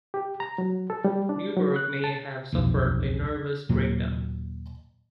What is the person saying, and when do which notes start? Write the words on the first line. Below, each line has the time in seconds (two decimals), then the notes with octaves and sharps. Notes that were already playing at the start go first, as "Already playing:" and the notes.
Neuburg may have suffered a nervous breakdown.
0.14 G4
0.40 A#5
0.58 F#3
0.90 A4
1.04 G3
1.29 D4
1.57 F#3
1.76 F#6
2.04 A5
2.52 D#1 B1 F2
3.69 D#2 A#2 F#3